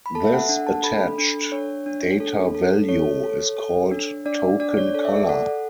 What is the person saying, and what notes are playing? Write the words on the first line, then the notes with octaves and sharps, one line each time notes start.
This attached data value is called token color.
B5
A4 A5
E5
F#5
D4 F#5
A5
A4 B5
D4
D4 C#5
D4
A4
A4
A4 C#5
A4
A4
D4
D4 D5
D4 D5
C#5
A4 D5
E5
D5
A4 F#5